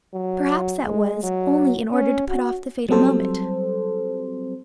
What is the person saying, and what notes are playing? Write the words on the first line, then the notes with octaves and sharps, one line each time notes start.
"Perhaps that was only in order to put off the fatal moment."
F#3
G#3
F#3
C#4
F#4
F#3 G3 C4 A4 C5